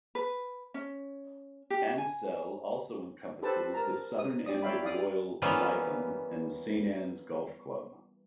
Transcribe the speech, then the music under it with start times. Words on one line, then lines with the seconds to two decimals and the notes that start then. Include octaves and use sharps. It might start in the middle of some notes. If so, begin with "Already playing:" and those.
Ansdell also encompasses the southern end of Royal Lytham and Saint Annes Golf Club.
0.15 B4
0.74 C#4
1.70 G4
1.98 G#5
3.42 G4 A4 B4 C5 A5
3.74 A#4 A5 A#5
4.19 D#6
4.46 G4 D5 D#6
4.63 C#5 D5 E5 F5 G5 B5
4.83 E4 D5 F5 D#6
5.42 E3 G3 A#3 B3 C#4 F4